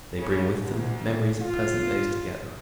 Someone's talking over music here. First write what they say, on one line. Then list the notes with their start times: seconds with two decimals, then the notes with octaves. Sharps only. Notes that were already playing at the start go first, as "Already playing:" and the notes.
They bring with them memories of pleasant days together.
0.17 C#3
0.60 D2
1.41 F4